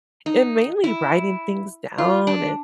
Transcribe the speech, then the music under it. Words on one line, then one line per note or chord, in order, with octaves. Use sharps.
and mainly writing things down, and
D#4
E4
F4
D4